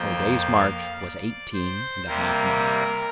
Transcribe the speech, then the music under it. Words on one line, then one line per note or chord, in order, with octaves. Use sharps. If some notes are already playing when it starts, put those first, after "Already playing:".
Our day's march was eighteen and a half miles.
Already playing: F2 F3 A#3 G5
F5
D5
C5
C3 G3 A#3 A#4